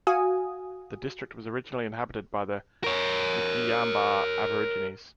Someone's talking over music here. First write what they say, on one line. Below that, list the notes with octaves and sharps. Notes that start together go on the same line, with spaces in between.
The district was originally inhabited by the Ngiyambaa Aborigines.
F#4 F5 G#5 D#6
A#4 C#5